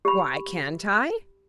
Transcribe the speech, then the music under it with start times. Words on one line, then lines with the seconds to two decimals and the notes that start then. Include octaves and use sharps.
"Why can't I?"
0.05 G4 B5